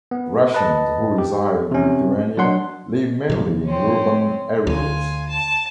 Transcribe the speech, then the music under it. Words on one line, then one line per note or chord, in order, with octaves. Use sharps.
Russians who reside in Lithuania live mainly in urban areas.
B3
B4 D#5 A5
G4
C3 C#4
F#3 D4 F#5 C6
C3 F3
C4 C#4
D2 F4 G#5
A5